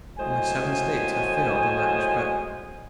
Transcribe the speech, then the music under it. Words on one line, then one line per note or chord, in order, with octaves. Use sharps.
Only seven states have failed in that respect.
A2 F#3 G#3 C5 G#5